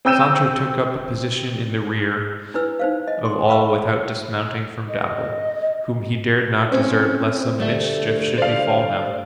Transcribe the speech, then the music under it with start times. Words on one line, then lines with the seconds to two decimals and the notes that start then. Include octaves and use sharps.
Sancho took up a position in the rear of all without dismounting from Dapple, whom he dared not desert lest some mischief should befall him.
0.05 C4 G5 E6 G6 D#7 E7
2.54 D4 E4 B4 E6
2.79 D#4 C5 F5
3.08 D#5
3.25 C6
3.48 A#4 F5 B5 C#6 E6
4.89 D#5
6.72 C4 C#4 C5
7.60 D2 G3 A3 A4 E5
8.38 C5 D5 F5